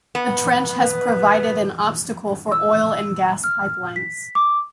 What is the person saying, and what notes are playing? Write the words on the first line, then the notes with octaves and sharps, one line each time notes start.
The trench has provided an obstacle for oil and gas pipelines.
B3
B4
E6
F6
B6
D6